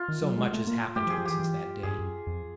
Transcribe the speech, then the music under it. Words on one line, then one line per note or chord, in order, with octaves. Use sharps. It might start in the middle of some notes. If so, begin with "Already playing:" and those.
So much has happened to him since that day.
Already playing: F4
D#3
F#3
G#3
A3
A#3
A3 G4
F3
G#4
F3
E3 G4
E3
G2 G#4
F#2
F2